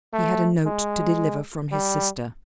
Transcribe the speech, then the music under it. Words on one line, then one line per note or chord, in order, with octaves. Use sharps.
He had a note to deliver from his sister.
A3
G#3
G3